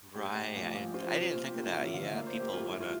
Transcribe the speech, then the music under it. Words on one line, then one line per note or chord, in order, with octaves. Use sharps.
Right, I and I didn't think of that, yeah, people wanna
A2 G4
A2
A#1
A#1
F3 F4
C3
A#2 F4
G4
A#3
E4
A1 F4
E5
D3 F5
E5
A#3 D5
C5
A#3
G4
G2 F4
E4
A3
F4